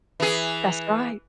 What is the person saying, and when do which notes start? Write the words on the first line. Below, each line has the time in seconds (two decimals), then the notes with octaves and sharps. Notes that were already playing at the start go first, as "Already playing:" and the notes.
That's right.
0.20 E3 G#4